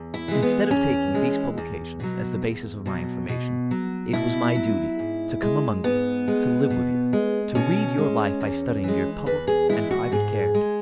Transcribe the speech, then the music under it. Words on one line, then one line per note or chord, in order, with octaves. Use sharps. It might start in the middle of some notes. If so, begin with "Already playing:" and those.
Instead of taking these publications as the basis of my information, it was my duty to come among you; to live with you; to read your life by studying your public and private character.
Already playing: E2
E4
E3 G#3
B3
E2 C#4
E3 G#3
E2
B2 F#3
E2
B2 F#3
B2
F#3
B2 E4
F#3
G#2
G#3
G#2 B3
G#3
B2
G#3
B2 C#4
G#3
E2
E3 G#3
E2 B4
G#4
E3 G#3 E4
F#4
G#2 G#4
G#3